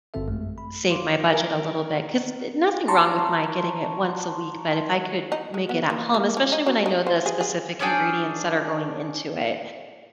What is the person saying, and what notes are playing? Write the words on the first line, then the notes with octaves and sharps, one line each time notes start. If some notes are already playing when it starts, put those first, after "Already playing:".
save my budget a little bit, 'cause nothing wrong with my getting it once a week, but if I could make it at home- especially when I know the specific ingredients that are going into it-
G#1 G2 D3 C4 A4 E5
A1 F#2 G#3 A3
B5
F5 C6 D6
A#4
A5 A#5 C6 C#6
D#4
G#3
B3
A#3
A#3
F3
D#4
F#3
D#4
C5
G#4
G#4
C#4 D4 G#4 G5